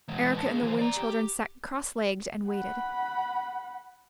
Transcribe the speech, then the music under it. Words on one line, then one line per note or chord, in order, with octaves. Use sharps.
Eric and the Wind Children sat cross-legged and waited.
E3 G#3
B4 A5
F4 G#4
E3 C5
D5 A#5
G4
F#5 B5